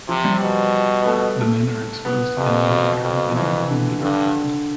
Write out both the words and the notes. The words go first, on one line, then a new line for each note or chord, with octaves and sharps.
The men are exposed to enemy fire and many were wounded or killed.
C3 F3
G3
B2
B3
A3
A3
B3
F2 C3
B2
F2
F3
F2 E3
D3
G2 D3